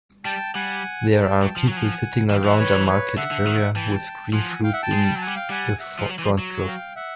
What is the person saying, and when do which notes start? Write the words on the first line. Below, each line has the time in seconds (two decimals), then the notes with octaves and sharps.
There are people sitting around a market area with green fruit in the front drop.
0.25 G3 G5 A5
0.54 G3 F#5 G#5
1.13 G5 A5
1.42 F#3
1.56 F3
1.67 F#3 F#5 G#5
1.77 F3
2.30 E3 F5 G5
2.44 F3 E5 F#5
2.54 E3
2.59 B4 C#5
2.65 D#3
2.75 E3
2.87 B4 C#5
3.17 D3 E5 F#5
3.31 D3
3.47 D#3
3.75 E3 G5 A5
4.33 F3 F#5 G#5
4.64 F5 G5
4.73 E5 F#5
4.82 G5 A5
4.92 G#3
5.05 G3
5.15 F#3 A5
5.21 F#5 G#5
5.27 G3
5.36 F5 G5
5.50 G3 F#5 G#5
5.79 E5 F#5
5.99 F3
6.09 F#3
6.19 E3
6.24 F3
6.39 F#3
6.67 F5 G5
6.96 E5 F#5